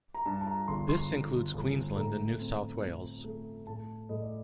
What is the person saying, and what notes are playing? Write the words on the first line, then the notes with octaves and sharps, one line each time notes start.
This includes Queensland and New South Wales.
A#5
G2 A5
A5
A#5
G1 C6
C6
D3
G1
A2 A#5
C4
C4
A3
A2 A5
A2 D#5
D5